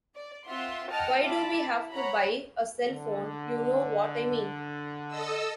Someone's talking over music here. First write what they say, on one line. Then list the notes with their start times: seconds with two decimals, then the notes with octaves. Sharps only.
Why do we have to buy a cell phone, you know what I mean?
0.15 D5
0.46 C4 F4 E5 F#5 C6
0.91 D#5 F#5 G5 A5 F6 A6
1.21 F4 E5 A5 B5 D6
1.60 E4
1.91 C#5 F#5 A#5 B5
2.91 D3
5.08 A4 D#5 E6